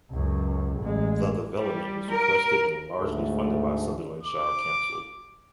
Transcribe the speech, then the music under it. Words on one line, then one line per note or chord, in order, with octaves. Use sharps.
The development was requested and largely funded by Sutherland Shire Council.
C#2 F#2
A1 G#3
G3
A#4
D2 G#2 A3
D6